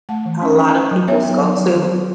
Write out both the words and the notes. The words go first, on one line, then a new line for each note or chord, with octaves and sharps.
a lot of people's go-to.
A3 F#5 A5
E3
C#4
C#4
C#4
F#3
B3 C#5 E5
B3
F#3
F#3
D#3
B3